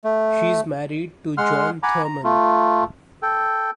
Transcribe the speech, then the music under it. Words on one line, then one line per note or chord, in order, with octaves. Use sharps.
She is married to John Thurman.
A3
G#3 F#5 C6 F6
F#5 G#5 A#5 B5 D6
A#5
A3 F4
A4 G5